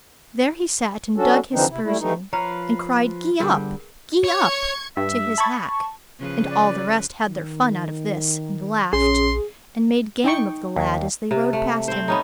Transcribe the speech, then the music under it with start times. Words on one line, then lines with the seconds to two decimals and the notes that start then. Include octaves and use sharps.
There he sat and dug his spurs in, and cried, "Gee up! gee up!" to his hack. And all the rest had their fun out of this, and laughed, and made game of the lad as they rode past him.
1.16 F#3 C#4 D4 F#4 A4
1.53 D3 E3 F3 C4 D4 D#4
1.70 C3 E4
1.84 G3 A3 E4
1.99 E3 G3 A3 D#4
2.33 F3 B4 C#5 F5 A#5
3.40 D3 G3 G#4 A#4 B4
4.24 C#5 C#6 G#6 C#7
4.97 G2 E5
5.38 A5 B5 C#6 G#6 A6
6.19 C#3 F3 B4
6.50 D5
7.27 D#3
8.93 A#1 C#4 G#4 C6
10.24 D#4 G5 C#6
10.76 D#2
11.31 C3
11.53 A3
11.88 C4 C5
12.08 B3 C#4 D#4